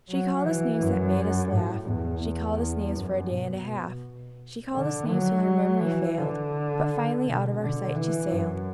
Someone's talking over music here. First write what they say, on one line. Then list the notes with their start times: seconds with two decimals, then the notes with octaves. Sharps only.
"She called us names that made us laugh, She called us names for a day and a half, She called us names till her memory failed, But finally out of our sight she sailed."
0.10 F#3
0.46 E3
0.81 F#2
1.53 A2
1.88 E2
2.24 E2
2.96 F#2
3.32 B2
4.74 D3
5.10 F#3
5.82 E3
6.18 D3
7.25 B2
7.60 D3
7.96 E3
8.31 F#2